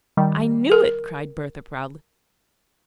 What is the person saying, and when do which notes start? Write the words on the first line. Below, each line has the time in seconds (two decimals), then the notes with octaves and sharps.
"I knew it!" cried Bertha, proudly.
0.17 D#3 G3
0.72 A#4